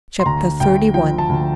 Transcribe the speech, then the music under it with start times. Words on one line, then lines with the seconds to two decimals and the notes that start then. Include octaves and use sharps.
Chapter XXXI.
0.20 C6
0.25 D2 A#5
0.60 D2 G5
0.94 F3 G5
1.18 A5
1.29 D2